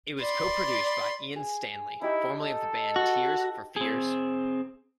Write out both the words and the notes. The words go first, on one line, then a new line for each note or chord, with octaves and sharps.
It was co-produced by Ian Stanley, formerly of the band Tears For Fears.
D5 B5 C6
G#4 G#5
D#4 E4 G4
A4
F#4
C4 G#4